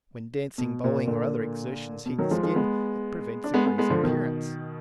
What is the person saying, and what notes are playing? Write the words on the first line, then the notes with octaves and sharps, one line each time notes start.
When dancing, bowling or other exertions heat the skin, it prevents a greasy appearance.
B2
A#2
A#2 D3
B2
D#3 F#3
F3 G#3
F3 G#3
G#3 B3
D4
G#3 B3
G#3 B3
G#3 B3
D3 F3
B2 D#3